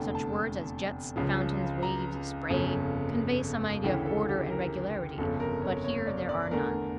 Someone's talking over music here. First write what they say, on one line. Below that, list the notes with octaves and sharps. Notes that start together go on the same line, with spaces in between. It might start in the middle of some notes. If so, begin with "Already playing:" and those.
Such words as jets, fountains, waves, spray, convey some idea of order and regularity, but here there are none.
Already playing: F1 E2 D3 A3 G5
A5
C#2 C#3 F3
A#5
G1 F2 C#3
D2 C#3 E3 G5
A4
G4
A#4
G1 F2 C#3 A4
A#4
C#5
C#5
D5
D5
E2 D3 A3 A#4